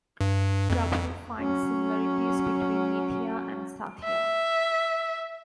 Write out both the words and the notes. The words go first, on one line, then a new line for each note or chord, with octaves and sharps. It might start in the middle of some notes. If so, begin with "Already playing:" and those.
Prabhu finds similarities between Nithya and Sathya.
G2
F2
F#3 C#4
E5